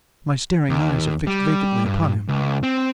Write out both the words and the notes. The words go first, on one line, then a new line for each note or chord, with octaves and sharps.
My staring eyes are fixed vacantly upon him.
D#2
G3
G2
C#2
C4